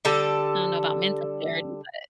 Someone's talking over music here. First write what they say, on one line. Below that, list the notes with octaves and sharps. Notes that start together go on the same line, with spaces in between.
I don't know about mental clarity, but
D3 G3 A4